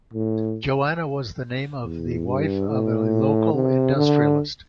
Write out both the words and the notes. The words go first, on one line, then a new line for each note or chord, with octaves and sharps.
Joanna was the name of the wife of a local industrialist.
A2
E2
G2
A2
C3
D3